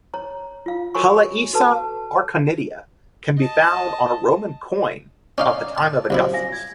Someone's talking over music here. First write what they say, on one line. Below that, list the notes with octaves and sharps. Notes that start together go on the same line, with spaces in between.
"Halaisa Archonida" can be found on a Roman coin of the time of Augustus.
C#5 A#5
F4 F5
F#4 A#4 C#5 G#5 B5 C#6
F#4 A4 B4 A5
D#5 A5
C#4 D#4 D5 F5 D6
A5
C2 F#2 E4 C5
F5 G#5 A#6
G#6